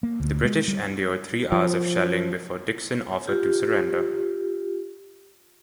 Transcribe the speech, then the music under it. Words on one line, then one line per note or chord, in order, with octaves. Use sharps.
The British endured three hours of shelling before Dickson offered to surrender.
A#3
D2
G#3
G3
F3
F4 G4